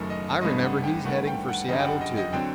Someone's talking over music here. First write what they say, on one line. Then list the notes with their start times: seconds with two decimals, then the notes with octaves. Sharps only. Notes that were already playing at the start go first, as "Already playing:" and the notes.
I remember; he's headed for Seattle, too.
Already playing: F#1 F#2 D#3 A3 D#5
0.10 D#5
0.41 A1 G2 D3 A3 C4 D#5
0.63 F#5
0.84 G5
1.05 G1 G2 D#3 A3 F#5
1.27 G5
1.48 F#5
1.69 F#1 F#2 D3 G3 D#5
1.80 G5
1.85 F#5
2.01 D#5
2.17 D#5
2.33 D3 F#3 C4 G5